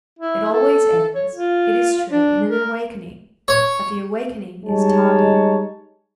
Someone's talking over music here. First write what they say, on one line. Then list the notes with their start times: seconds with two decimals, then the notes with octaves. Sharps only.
It always ends, it is true, in an awakening, but the awakening is tardy.
0.19 E4
0.52 A4
1.16 C#5
1.32 F4
2.11 D4
2.50 A#4
3.48 C#5
4.66 G3 G#3 D#4 C#5 A5